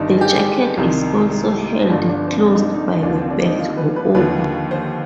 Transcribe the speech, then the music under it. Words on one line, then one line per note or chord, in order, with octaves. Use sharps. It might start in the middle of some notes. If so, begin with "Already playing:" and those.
The jacket is also held closed by the belt or obi.
Already playing: G1 G2 D#3 D4 D#4
G#4
G4
C2 C3 D#3
G1 G2 D3 F3 D4
D4
C4
D4
D#4
D4
D#4
D#2 D3 F3 D4
C4
D4
D#4
F4
B4
B4
D#2 D3 F3 B4
C5